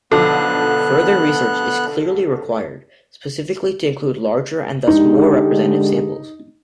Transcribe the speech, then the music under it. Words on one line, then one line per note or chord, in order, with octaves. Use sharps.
Further research is clearly required, specifically to include larger and thus more representative samples.
B1 D3 F3 B3 A4 F#6
D3 G#3 D#4 G4